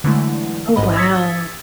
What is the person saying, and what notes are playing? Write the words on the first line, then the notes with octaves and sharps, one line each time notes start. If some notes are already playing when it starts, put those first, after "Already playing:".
Oh, wow.
D3 E3 F#3 G#3 A3 E4
A1 G#2 D#5 B5
D#6 E6 G#6 A6 B6 C#7